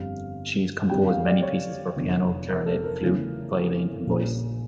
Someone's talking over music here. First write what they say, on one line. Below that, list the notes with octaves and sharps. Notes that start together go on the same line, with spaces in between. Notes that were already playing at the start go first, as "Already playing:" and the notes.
She has composed many pieces for piano, clarinet, flute, violin and voice.
Already playing: G1 F2 D3 G3 F5
F2 D3 G3 C#4 G5
F5
D5
C#5
F1 E2 D3 F3
A#4
A4
A#4
E2 C#3 E3 A3
A#1 A#2 G3 A#3 C#4